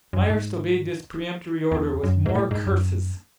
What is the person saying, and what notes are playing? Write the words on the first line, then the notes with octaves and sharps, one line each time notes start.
Myerst obeyed this peremptory order with more curses.
F#2
G#2
E2
F#2
G#2
A2
G#2
F#2